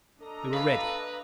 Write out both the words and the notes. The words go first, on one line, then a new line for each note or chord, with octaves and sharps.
We were ready.
D4 A4 D#5 A#5
B4 F5